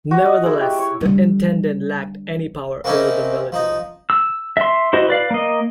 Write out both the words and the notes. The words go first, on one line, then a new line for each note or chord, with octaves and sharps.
Nevertheless, the intendant lacked any power over the military.
F#4
D#5
G#3 E4
G4
C#5
D3 G3
A#3 C4 C#4 D#4 E4
F3 D#4
E6
E5 C6
E4 F#4 C5 D#5
B4 D5 F5
A#3 D#5